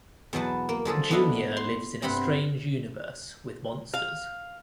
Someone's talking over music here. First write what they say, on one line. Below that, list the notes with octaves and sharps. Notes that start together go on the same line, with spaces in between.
Junior lives in a strange universe with monsters.
E2 B2 F#3 B4 A5
A#3
D3 F3 G#4 A4
B3 D4 E4 D#5 F5
C6
G2 C3 F#5 B5 C6
F5